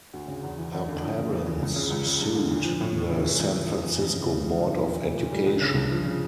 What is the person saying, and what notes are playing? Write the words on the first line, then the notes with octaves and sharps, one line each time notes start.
Her parents sued the San Francisco Board of Education.
D2
C#3
E2
E3
E2
D3
F2
C#3
F2
E3
C#2
C#3
C#2
C#3
G2
D3
A#2
F3
A2
F3
C#3
E3
C#2
C#3
F2
E3
F2
C#3
C#3
F3
G2
F3
A#2
A3
A#2
G3
C#2
C#3
G2
F3
C#3